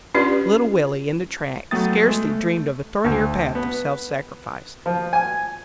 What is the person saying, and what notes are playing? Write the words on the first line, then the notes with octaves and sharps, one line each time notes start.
Little Willie, in the tracts, scarcely dreamed of a thornier path of self-sacrifice.
C#4 D4 F4 G4 B4 D5
F#3 A3 B3 G5 D#6 A6
G#3 A3
A3
D2
B3
F3
G#5